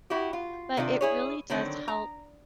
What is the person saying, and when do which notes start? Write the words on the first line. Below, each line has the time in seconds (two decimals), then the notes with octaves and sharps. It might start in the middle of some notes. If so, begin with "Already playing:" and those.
But it really does help,
0.10 E4 F#4 G4
0.33 F4
0.77 C3 D#3 D4 F4
1.01 E4 G#4 C#5
1.50 D3 D#3 F#3 C4
1.88 A#5